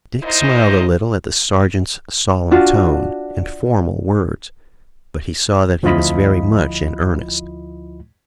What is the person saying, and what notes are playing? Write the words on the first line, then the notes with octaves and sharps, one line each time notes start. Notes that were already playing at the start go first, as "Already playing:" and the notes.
Dick smiled a little at the sergeant's solemn tone, and formal words, but he saw that he was very much in earnest.
A#2 D#4 E4 C5 D#5
D4 F4 F#4
D2 F3 E4 F4 D#5 B5